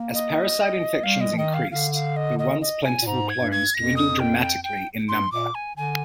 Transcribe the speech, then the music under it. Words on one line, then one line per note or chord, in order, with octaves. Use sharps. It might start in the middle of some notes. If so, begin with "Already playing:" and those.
As parasite infections increased, the once plentiful clones dwindled dramatically in number.
Already playing: A#3
D#5
G3 F5
D#5
F3
D#3 D#5
F5
D3 F5
F5
D#5
D#5
D#5
G#5
A#2
G#2 A#5
G#6
G2
G#6
F2 A#6
D#6
G5
G5
G5
G2 C6
A#2 D6
G#5
D3 G#5